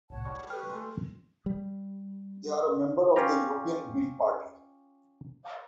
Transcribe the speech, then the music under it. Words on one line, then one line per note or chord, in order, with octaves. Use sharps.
They are a member of the European Green party.
G1 C2 A2 C#5 F#5 A5
G3 F#4 B5 C#6
G4 A4 B4 G5 C#6 F6
A3 G#5 C6
G3
C#4 F4 G4 A#5